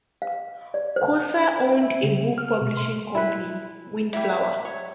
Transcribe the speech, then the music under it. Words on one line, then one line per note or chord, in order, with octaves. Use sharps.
Kooser owned a book publishing company, Windflower.
F5
D5
C5
E5
C#3
F6
B2
C6
E4 B4
G3 E4 E5
C#5